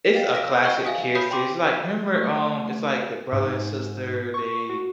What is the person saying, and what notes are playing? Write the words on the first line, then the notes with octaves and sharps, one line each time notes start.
It's a classic kids series, it's like, remember, um, it's like the brother and sister, they
D#5 F5 G5 A6
C#5 F5 A#6 B6 D7
C5 D#5 F#5 G5 C#6
E5 F5 G#5 D#6 B6
B4 C#5 B5 D#6 G6 C7
G5 C6 D6
A3
G#2
C#6
F#4